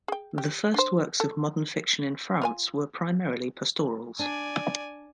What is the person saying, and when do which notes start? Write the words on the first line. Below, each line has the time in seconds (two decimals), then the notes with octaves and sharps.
The first works of modern fiction in France were primarily pastorals.
0.08 G#4 G5
0.38 G4
0.74 D4 C5
1.20 A4
2.42 F4 C5 G#5
4.19 D4 D5 G#5